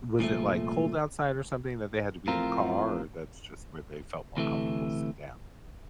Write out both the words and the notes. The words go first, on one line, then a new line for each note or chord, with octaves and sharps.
Was it, like, cold outside or something that they had to be in the car or that's just where they felt more comfortable to sit down?
C2 A#2 F3 A3
A2 F3 C4 F4 A#4
D2 C3 E3 A3